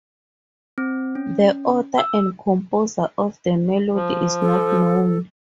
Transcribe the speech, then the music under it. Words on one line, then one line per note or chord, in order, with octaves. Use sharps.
The author and composer of the melody is not known.
C4
C#4
E6
F3
A4